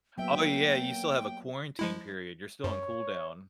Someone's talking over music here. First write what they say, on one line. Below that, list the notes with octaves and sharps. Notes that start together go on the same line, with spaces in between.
Oh, yeah, you still have a quarantine period. You're still on cool down.
F#3 A#3 B3 E5 G5
F3 G#3 E4
F#2 C#5